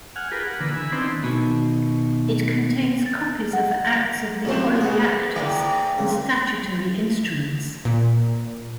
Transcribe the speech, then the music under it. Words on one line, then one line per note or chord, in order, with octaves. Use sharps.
It contains copies of Acts of the Oireachtas and statutory instruments.
F#5 G#5 F6
F4 G4 G#4 A#4 B4
F#5
D3 E3 A#3 B4
E4 G#5 B5
D#3 B3 C4 D4 E4 C5
B2 D#3
A6
F#5
C2 G#2 F#3 C#4 C5 D5
F#4 G#4 B4 F#5
G#2 A3 E4 D5 E5 G5
C#3 A#3 C4
A#2